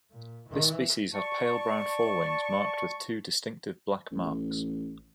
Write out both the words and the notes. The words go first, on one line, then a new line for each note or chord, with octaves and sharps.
This species has pale brown forewings marked with two distinctive black marks.
A#2
E3
D5 A5 C#6
A1